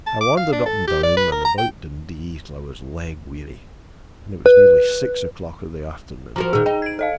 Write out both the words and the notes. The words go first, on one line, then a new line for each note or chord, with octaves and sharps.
I wandered up and down and about Dundee till I was leg-weary, and it was nearly six o'clock of the afternoon.
A5
D6
F5
D4
A4
G4
D5
B4
A#4
A#5
G5
B4
F3 F#4 A#4 A#5
A#2 D#3 G#4
D#4 G5
G#6 D7
A4 D#5 F5